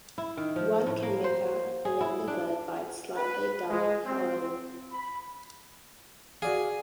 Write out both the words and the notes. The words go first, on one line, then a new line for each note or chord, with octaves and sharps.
One can make out a younger bird by its slightly duller coloring.
E4
D#3
F3
A2
A#3
C5
G#4
E4
D4
B4
G#3
C4
B5
F#4 G#4 D5 F5